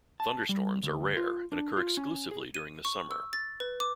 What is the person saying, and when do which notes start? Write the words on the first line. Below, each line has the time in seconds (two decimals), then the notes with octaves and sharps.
Thunderstorms are rare and occur exclusively during the summer.
0.20 A5
0.49 G3
0.83 D2
1.17 F4
1.52 D4
1.77 F4
1.97 C#4
2.31 G#4
2.54 D#7
2.85 C#6
3.11 E6
3.33 A6
3.60 B4
3.80 D6